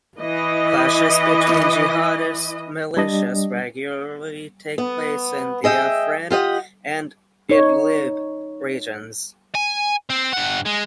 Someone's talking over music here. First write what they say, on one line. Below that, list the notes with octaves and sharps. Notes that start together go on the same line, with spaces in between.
Clashes between jihadist militias regularly take place in the Afrin and Idlib regions.
E3 D#5
G3 D4 D#5
B3
G#4 D#5 E5 G5
F4 G4 D#5 F#5
D#4 C#5
G#5
C4
G2 F#5
G#3